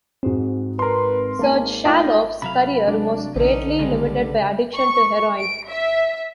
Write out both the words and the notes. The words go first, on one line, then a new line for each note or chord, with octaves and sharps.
Serge Chaloff's career was greatly limited by addiction to heroin.
G#2 G#3 C4 F#4
A#4 B4 C6
G#2 A#3 A5 D#7
A#2 A3 D#4 F4 D#5 G5
C3 F#3 F5 B5
G#3 D4
A#1 D3 C#4 D#4
C#3 G3 G#3
C#6
D7
E5